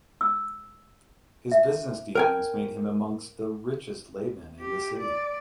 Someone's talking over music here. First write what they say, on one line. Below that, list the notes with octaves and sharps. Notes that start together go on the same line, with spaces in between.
His business dealings made him amongst the richest laymen in the city.
E6
E5
A#4 G5 G#5
G4
D5